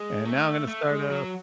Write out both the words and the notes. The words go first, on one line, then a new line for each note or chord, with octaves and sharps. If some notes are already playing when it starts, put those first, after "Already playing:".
And now I'm gonna start off
Already playing: G#3
A3
A3
G#3
F#3